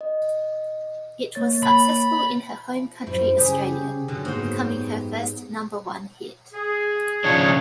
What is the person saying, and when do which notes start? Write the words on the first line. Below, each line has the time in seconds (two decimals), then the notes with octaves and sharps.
It was successful in her home country Australia, becoming her first number-one hit.
0.01 D#5
1.35 A#3 C#5 A6
1.63 B5
3.07 F#2 G3 C4 E4
3.38 C#3 G4 G#4
4.08 F#2 B2 D3 F#3
4.25 G#2 A#3 B3 F#4 C5
4.65 B3 G4
6.53 G#4
7.24 C#3 F3 D4 C#5